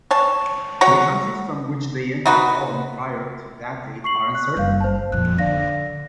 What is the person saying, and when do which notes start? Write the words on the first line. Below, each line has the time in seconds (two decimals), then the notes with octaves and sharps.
The countries from which they entered Holland prior to that date are uncertain.
0.11 C#5 A5
0.81 F#4 C#5 F#5 A#5
2.26 D#4 F#4 B4
4.04 C#6 C7 F#7
4.35 C#6 F#6
4.56 F#1 G3 F5 G6
4.80 C5 A5
5.12 F2 A#2 F#6
5.38 D3 D5 F5 A#6